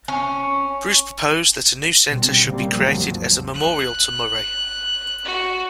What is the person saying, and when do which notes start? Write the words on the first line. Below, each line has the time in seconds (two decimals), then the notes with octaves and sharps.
Bruce proposed that a new centre should be created as a memorial to Murray.
0.08 C#4
2.09 B2 D3 G3 C4
2.47 C#3 G3 A#3 C4
2.78 D#2 G#2 F3 F#3
3.54 F#6
5.25 F#4